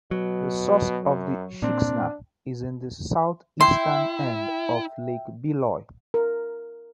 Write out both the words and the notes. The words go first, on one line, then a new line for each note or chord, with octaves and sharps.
The source of the Sheksna is in the southeastern end of Lake Beloye.
B2 F#3
F#2
A#2 C4 D4
E4 E5 G5 C6
A#4